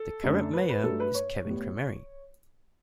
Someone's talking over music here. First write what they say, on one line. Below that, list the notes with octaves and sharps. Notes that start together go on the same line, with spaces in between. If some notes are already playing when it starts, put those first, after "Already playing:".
The current mayor is Kevin Crameri.
Already playing: A4
F#2 D3 A3 D4
B4
B4
G2 F#3 A3 A4
B4
C#5
A2 G3 B3